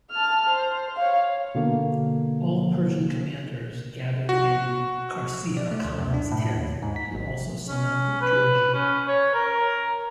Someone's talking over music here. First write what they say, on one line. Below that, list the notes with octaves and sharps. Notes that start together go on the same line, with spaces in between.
All Persian commanders gathered in Qarciha-Khan's tent and also summoned Giorgi.
A5 F6
C5
C#5 F5
B2 D3 A#3
F#4
D5
A3
D2
F#2
D4
A2
D#2
G#2
B6
G#1
C#4
B4
C#4
C#5
A#4